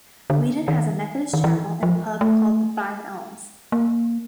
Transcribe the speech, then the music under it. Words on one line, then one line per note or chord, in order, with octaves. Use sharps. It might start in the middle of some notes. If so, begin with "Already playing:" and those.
Weedon has a Methodist Chapel and a pub called the Five Elms.
D3
D#3
D#3
E3
F3
A3
A#3